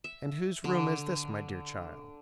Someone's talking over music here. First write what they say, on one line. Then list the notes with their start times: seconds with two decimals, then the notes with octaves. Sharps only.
"And whose room is this, my dear child?"
0.04 E5
0.64 D3